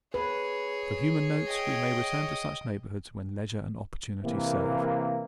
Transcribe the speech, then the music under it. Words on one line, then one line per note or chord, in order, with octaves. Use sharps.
For human notes we may return to such neighbourhoods when leisure and opportunity serve.
G#4 B4 C#5
D#5 G5
C3 E3 A#3